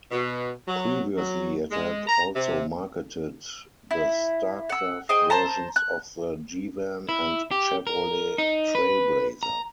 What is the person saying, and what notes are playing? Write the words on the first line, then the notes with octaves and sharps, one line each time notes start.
Previously, it had also marketed the Starcraft versions of the G-Van and Chevrolet Trailblazer.
B2
F#3
F#3
G#3
A#5
C3
E4
F#5 E6
G#4 C5 D#5 G5
C5 A5 A#5
F#6
E4
G4
A#4
D#4
B4
A#5